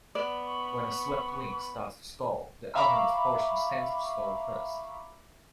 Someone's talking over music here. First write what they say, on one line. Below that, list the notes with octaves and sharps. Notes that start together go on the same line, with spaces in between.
When a swept wing starts to stall, the outermost portions tend to stall first.
B3 D5 B5
C#6
E5 F5 A#5 B5 C#6 D6